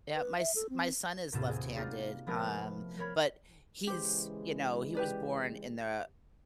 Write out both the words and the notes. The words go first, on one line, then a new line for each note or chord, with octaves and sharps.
Yup, my s my son is left-handed, um, but he's you know, he was born in the
B4
E5
A4
C4
D#2 A2 C3 B3 F4 E7
C4 G#4
A#3 D#4 F4 F#4 G#4 D5
F3 G#3 B3 E4 F4 A#4
A3
A#4 C#5 B5 G#6
C#3 E3 G#3 G4 C5
G4 B4 D5